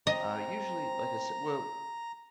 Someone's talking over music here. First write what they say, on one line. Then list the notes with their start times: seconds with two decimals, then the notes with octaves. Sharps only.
Uh, usually, like I sai well,
0.07 C4 D#5 A#5